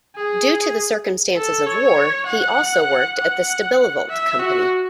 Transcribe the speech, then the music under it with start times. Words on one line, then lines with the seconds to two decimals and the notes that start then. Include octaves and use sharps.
Due to the circumstances of war, he also worked at the Stabilovolt Company.
0.16 G#4
1.37 A4
1.67 C#5
2.27 F#5
3.19 F#5
4.09 E5
4.40 F#4